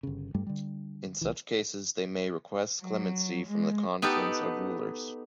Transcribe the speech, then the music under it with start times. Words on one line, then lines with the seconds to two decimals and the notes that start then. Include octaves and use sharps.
In such case, they may request clemency from the Conference of Rulers.
0.03 G1 C#3
0.34 G2 G3 A3
0.47 D3 G3
1.21 C2 E3
2.82 F#3
3.47 G#3
4.02 B3 D#4 G4 A4 B4